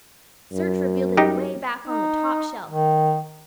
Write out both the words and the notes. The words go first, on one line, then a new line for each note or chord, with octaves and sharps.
Search revealed it away back on the top shelf.
F#2
D#4 G4
D#4
D#3